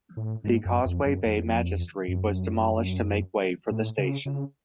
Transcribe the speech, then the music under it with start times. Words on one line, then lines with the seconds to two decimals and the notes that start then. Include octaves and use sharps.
The Causeway Bay Magistracy was demolished to make way for the station.
0.17 A2
0.44 G#2
0.65 F#2
0.86 F2
1.06 F#2
1.26 F2
2.08 F#2
3.71 A2
3.98 C#3
4.25 C#3